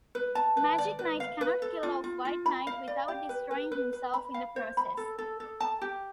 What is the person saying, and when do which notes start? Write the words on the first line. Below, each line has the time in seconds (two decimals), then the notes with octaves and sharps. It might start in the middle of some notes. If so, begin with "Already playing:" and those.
Magic Knight cannot kill Off-White Knight without destroying himself in the process.
0.15 B4
0.35 A5
0.57 B4
0.78 D5
0.99 B4
1.20 F5
1.41 B4
1.62 A4
1.83 F4
2.04 F4
2.25 F4
2.46 B5
2.67 F5
2.88 D5
3.08 G4
3.29 B4
3.51 B4
3.72 B4
3.93 B4
4.14 B5
4.34 F5
4.56 C5
4.77 B5
4.97 A4
5.18 A4
5.40 A4
5.60 A5
5.81 G4